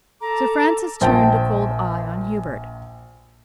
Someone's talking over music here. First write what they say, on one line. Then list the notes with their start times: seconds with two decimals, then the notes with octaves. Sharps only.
Sir Francis turned a cold eye on Hubert.
0.20 A4 A#5 D6
1.01 A#1 C5 G5 A5